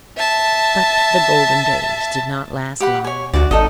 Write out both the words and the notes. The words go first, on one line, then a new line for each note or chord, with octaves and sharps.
But the golden days did not last long.
E5 A5
G4 F#5 B5
C#5 G#5
D2 F#4 D5
G#1 D#4 A4 D#5